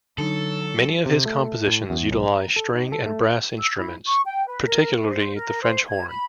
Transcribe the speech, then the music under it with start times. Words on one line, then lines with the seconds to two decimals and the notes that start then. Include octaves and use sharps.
Many of his compositions utilize string and brass instruments, particularly the French horn.
0.18 D3 F#3 D#4 A4
1.06 C3
1.26 A3
1.67 A2
1.90 E2
2.11 B1
2.33 A#5
2.56 A4
2.75 D#4
2.92 A4
3.06 A3
3.59 E6
3.76 E4
4.06 C#6
4.25 G5
4.46 B4
4.67 A#4
5.04 C5
5.34 A#4
5.62 C5
5.88 G#6
6.09 B5